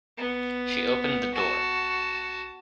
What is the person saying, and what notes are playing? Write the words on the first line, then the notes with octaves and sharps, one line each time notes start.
She opened the door.
B3
F#4 A5